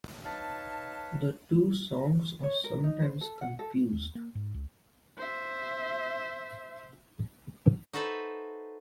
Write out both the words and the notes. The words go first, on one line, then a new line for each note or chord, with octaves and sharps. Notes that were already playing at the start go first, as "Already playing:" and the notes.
The two songs are sometimes confused.
D#4 B4 C#5 F5 A5
C#5
A#4
D#4
C5
A4
F#5
A4
D#2
A#3
G#2
C#2
C5 E5
D#4 F#4 A4 B4 C5 E5